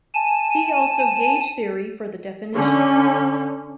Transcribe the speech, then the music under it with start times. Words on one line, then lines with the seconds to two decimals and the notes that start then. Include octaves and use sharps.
See also gauge theory for the definitions.
0.14 G#5 A5
2.57 D3 C#4